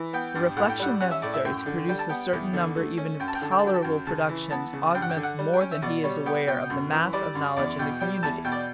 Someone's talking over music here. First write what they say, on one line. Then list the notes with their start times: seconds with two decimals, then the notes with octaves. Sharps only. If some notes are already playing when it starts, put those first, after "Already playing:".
The reflection necessary to produce a certain number even of tolerable productions augments more than he is aware of the mass of knowledge in the community.
Already playing: E3
0.13 B3 G5
0.35 G2
0.56 A2 F#5
0.69 G5
0.79 G3 F#5
1.00 C#4 F#5
1.11 E5
1.22 A2 D5
1.34 E5
1.45 F#2 G5
1.66 D3
1.89 G3 G5
1.99 A5
2.09 B3 G5
2.33 E2
2.53 D3
2.76 A3
2.98 C#4
3.20 F#2 G5
3.28 A5
3.35 G5
3.41 D3 A5
3.51 G5
3.59 A5
3.64 F#3 G5
3.74 A5
3.82 F#2 G5
4.07 C#3 A5
4.29 E3
4.51 B3 A5
4.73 C#3
4.95 G2 G5
5.02 F#5
5.10 G5
5.16 D3
5.23 F#5
5.39 G3
5.53 G5
5.61 C#4
5.71 E5
5.82 B2 D5
6.04 G3 C#5
6.26 B3 G5
6.47 B2 G5
6.70 F#2
6.92 E3
7.13 G3 D5
7.35 F#2
7.57 E2 D5
7.79 B2 G5
8.00 G3 G5
8.23 E2 A5
8.45 B2 G5
8.52 D5